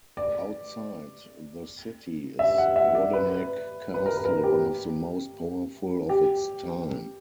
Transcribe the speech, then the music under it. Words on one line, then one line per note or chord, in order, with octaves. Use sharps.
Outside the city is Rodeneck Castle, one of the most powerful of its time.
D5
E5
F#5
E5
D5
B4
B4
A#4
B4
A#4
G4
G4